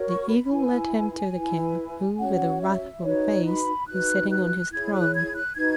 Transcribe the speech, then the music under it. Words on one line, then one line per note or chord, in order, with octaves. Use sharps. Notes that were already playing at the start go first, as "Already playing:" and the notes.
The Eagle led him to the King, who with a wrathful face was sitting on his throne.
Already playing: F#4 A#4 C#5
C#6
B5
E4 B4 G#5
E4 B4
C#4 F#4 C#5 F#5
E5
D#4 F#4 B4 C#5
B5
D#4 F#4 B4 F#6
F#6
E4 G#4 C#5 G#6
F#6
G#6
F#6
D#4 F#4 B4 G#6